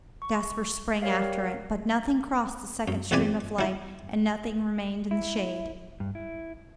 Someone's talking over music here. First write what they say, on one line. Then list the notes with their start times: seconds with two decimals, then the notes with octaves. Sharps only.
Jasper sprang after it, but nothing crossed the second stream of light, and nothing remained in the shade.
0.22 C#6
1.02 G3 A#4 C#5 F5
2.88 F#2
3.11 E2 A#2 C4 B4 D5 G#5
3.59 F#3 E4
5.11 E4
6.00 G2
6.15 E4